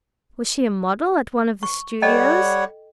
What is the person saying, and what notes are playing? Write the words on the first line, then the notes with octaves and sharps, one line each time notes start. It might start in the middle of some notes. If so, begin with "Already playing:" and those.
Was she a model at one of the studios?
C#6
G3 A4 C#5 D#5 F#5 G5